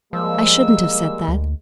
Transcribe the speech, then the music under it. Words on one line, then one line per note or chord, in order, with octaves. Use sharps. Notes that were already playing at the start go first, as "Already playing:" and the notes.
I shouldn't have said that.
F3 G3 G#3 A#3 E6
D2